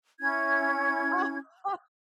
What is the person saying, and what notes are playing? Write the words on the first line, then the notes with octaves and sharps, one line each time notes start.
Oh, huh.
C#4 E4 G#6